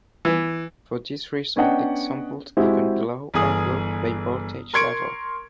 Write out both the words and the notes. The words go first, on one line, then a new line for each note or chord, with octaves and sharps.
For this reason the examples given below are grouped by voltage level.
E3
B3 C#4 D4 D#5 F#5 G5
G#3 C4 E4 F#4 G4
G1 E3 G#4 D#6
A#4 C6 C#6 G#6 C#7 D7